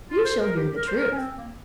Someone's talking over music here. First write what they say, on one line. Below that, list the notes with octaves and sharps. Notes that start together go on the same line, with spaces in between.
You shall hear the truth.
F4
C5
A#4
G4
A#4
C5
A#4
C#4
C4
A#3